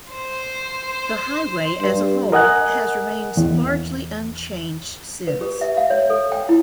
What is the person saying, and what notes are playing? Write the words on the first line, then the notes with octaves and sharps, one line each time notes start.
The highway as a whole has remained largely unchanged since.
C5
G2
A#4 D#5 F#5 G#5 F#6
E2
B4
G4
E5
F5
C#5
A4
G5
E4